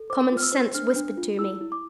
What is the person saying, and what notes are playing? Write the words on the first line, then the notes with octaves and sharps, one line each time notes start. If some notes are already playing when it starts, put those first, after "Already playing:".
Common sense whispered to me.
Already playing: A4
C5 D6
F4
F6
E6
C5
D4 F6
D4
F4
E4 E6
E4
D6